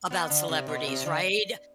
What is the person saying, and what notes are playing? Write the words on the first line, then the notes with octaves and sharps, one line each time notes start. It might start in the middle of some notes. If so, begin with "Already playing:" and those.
about celebrities, right?
B3
D3
C3
B2
C3
D3